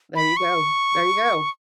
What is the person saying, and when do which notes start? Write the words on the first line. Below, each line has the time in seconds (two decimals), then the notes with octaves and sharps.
There you go. There you go.
0.16 B5
0.37 C#6